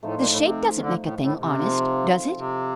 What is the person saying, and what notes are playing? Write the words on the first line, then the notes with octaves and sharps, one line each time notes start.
"The shape doesn't make a thing honest, does it?"
A2 F3 A3 D#4
A#2
A2
A#2
C3
D#3
D3
A2
A2
C3
F3 C4 F4
C3